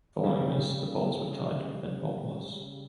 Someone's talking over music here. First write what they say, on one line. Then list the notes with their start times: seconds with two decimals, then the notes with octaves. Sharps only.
Following this, the bolts were tied to prevent bolt loss.
0.23 C#3 G3